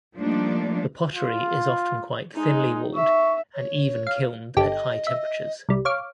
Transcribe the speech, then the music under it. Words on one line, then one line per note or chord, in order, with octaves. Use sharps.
The pottery is often quite thinly walled and even kilned at high temperatures.
F3 G3 A3 A#3 D4 D#4
F4
G#3 D#4
E5 C#6
C#5
F5
G1 G4 A4 D#5
E5
C2 G3
C#5 F5 D6